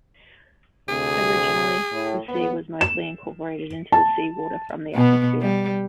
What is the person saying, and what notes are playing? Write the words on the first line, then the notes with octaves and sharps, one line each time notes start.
Originally, the C was mostly incorporated into the seawater from the atmosphere.
D2 C3 G#4
A2
D#2 B3
E7
A5
B2 B3
G3